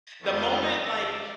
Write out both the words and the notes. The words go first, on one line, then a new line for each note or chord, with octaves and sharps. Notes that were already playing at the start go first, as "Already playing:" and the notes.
The moment like,
F2 D#3 A3 B3 C#4 F4
D5 E5 E6